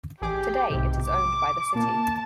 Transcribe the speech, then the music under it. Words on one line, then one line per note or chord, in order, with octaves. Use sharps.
Today it is owned by the city.
A1 G4 G#4 D6
B1 G#2 C3
D6
A#2 A#3 A5